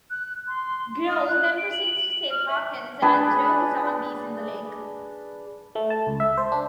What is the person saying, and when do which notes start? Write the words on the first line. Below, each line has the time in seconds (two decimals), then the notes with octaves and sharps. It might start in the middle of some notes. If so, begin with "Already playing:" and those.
Grohl then proceeds to save Hawkins and throw the zombies in the lake.
0.10 F#6
0.48 C6
1.05 D#5
1.28 F#6
1.58 D7
1.72 F#7
2.14 F#7
2.30 F6
2.48 E5
3.02 D4 G#4 B4 A5
5.75 A3
5.90 A5
6.07 C#2
6.20 E5
6.37 C5
6.52 D4